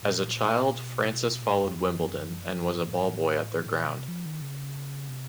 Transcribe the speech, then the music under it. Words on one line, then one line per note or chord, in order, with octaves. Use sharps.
As a child Francis followed Wimbledon, and was a ball boy at their ground.
A2
A#2
B2
A#2
G#2
F2
F2
F#2
G2
G2
A2
G#2
A2
A2
A#2
B2
C3
F3
D#3
C#3
C3